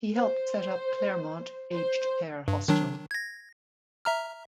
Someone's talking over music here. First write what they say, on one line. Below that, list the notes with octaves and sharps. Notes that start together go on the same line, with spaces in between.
He helped set up 'Claremont' aged care hostel.
C5
C5
G2
D#3 F#3 D4
G#6 A#6
E5 A#5 F6